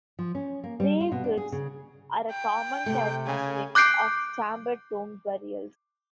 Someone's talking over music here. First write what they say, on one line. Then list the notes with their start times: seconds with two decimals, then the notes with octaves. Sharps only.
Grave goods are a common characteristic of chamber tomb burials.
0.19 F3
0.35 C#4
0.64 A#3
0.80 G3
1.00 F4
1.12 B2
1.24 D4
1.37 G#4
1.52 C#3
2.31 G5
2.86 C3 A3
3.27 C#3 G#5
3.75 D6 F#6 G6 C7 D7